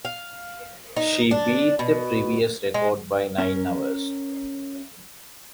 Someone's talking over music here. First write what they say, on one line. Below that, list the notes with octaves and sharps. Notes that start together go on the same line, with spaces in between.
She beat the previous record by nine hours.
F5
D#4
D4
B2
G#3
C#4 A#4